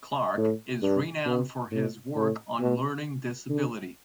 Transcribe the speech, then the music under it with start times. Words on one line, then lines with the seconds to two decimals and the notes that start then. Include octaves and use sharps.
Clarke is renown for his work on learning disability.
0.38 A2
0.82 G2
1.26 B2
1.72 A2
2.16 A2
2.60 B2
3.49 D3